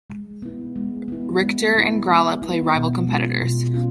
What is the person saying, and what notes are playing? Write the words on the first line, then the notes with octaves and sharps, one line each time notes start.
Richter and Gralla play rival competitors.
G#3
B3 E4
G#3
B3 E4
G#3
B3 E4
G#3
B3 E4
B2
G#3 C#4 F4
B2
C#4 F4